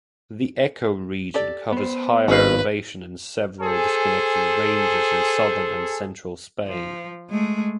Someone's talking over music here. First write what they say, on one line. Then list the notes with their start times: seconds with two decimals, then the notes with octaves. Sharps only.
The ecoregion covers higher elevations in several disconnected ranges in southern and central Spain.
1.34 G4 A4 D5
1.72 B3 C5
2.28 G#1 C#4 B4 D#5 F5
3.61 G#4 A4 C5 G#5
6.67 F3
7.30 G#3 A3